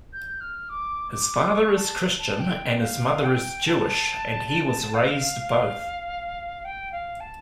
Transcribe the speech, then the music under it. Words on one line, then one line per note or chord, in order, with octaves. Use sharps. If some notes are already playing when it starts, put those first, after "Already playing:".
His father is Christian and his mother is Jewish, and he was "raised both".
G6
F6
D6
D6
C#6
A5
A5
G5
F5
G5
A5
F5
G5
F5
A5